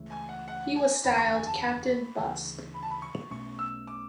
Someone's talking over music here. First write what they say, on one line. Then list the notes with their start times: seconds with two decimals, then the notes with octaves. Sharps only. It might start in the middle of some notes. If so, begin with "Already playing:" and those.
He was styled "Captain Busk".
Already playing: C#2 C#3 E3 A3
0.10 G#5
0.29 F#5
0.48 F#5
0.76 G#5
1.04 F#1 E2 D3 B5
1.18 C#6
1.33 G#5
1.47 A5
1.61 B5
2.18 D2 C#3 E3
2.74 B5
2.83 A5
2.90 B5
3.02 C#6
3.30 B1 B2 A3 C#4 C#6
3.59 E6
3.87 D6